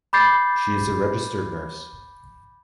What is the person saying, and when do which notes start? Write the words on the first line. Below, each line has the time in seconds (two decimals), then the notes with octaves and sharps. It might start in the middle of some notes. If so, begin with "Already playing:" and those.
She is a registered nurse.
0.13 B5 D6 G6 A6 C7